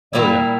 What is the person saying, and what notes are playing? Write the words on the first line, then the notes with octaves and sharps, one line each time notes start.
Oh, yeah.
A#2 G3 A#3 E4